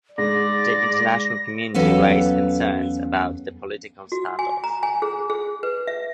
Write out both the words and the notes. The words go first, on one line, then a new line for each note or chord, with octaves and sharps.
The international community raised concerns about the political standoff.
G#2 D5 A#6
E2 F#3 C#4 A4 B4 F5
F#4
G#5
A#5
G#5
G#4
G#4
B4
E5